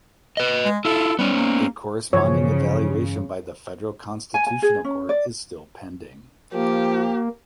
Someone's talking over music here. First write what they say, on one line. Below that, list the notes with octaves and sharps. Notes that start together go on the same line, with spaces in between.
A corresponding evaluation by the Federal Constitutional Court is still pending.
B4 D#5
G#3
E4 F4 A4
G3 B3 C#4
A#3
G2 C#3 E3 F3 G#3 C#5
G#5
G#5
G#4
C#4
D5
F3 A#3 G4